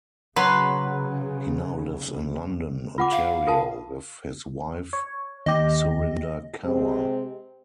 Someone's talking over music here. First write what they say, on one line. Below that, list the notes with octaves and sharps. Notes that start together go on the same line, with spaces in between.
He now lives in London, Ontario with his wife Surinder Kaur.
C#3 F#3 B4 C6
F4 F#5 D6
F5
F4 A#4 A5
C#5
D#2 G4 D#5
C3 G#3 C4